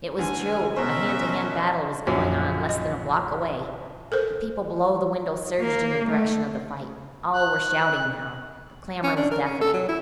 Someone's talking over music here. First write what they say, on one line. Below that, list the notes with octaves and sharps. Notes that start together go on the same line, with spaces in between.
It was true; a hand-to-hand battle was going on less than a block away. The people below the window surged in the direction of the fight; all were shouting, now; the clamor was deafening.
D2 E3 G#5
B2 C#4 F#4 A#4 C5 E5
A#1 F#2 F#4
D#5
A4 A#4 C5
A#3
A3
F#6
C#4
D4
A#4
C#4
A4
F#3
E4